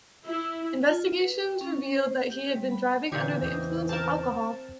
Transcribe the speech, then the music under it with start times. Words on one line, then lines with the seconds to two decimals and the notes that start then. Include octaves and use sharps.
Investigations revealed that he had been driving under the influence of alcohol.
0.25 E4
0.89 F4
1.19 B4
1.38 G5
1.61 C#4
1.96 C5
2.30 G4
2.55 G3
2.71 B5
3.12 A#2 D3 E3 G4 G#6
3.42 E2 C#3 C5 D#5
3.89 C4 A#4 A5